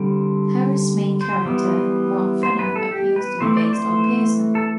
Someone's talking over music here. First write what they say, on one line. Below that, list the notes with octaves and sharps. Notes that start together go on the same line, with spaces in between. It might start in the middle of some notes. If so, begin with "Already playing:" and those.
Harris' main character, Mark Fenner, appears to be based on Pearson.
Already playing: D3 G3 C4
C5
E3 G3 B3
C5
B4
A4
G4
B4
E3 A3 C4 C5
D5
C5
A4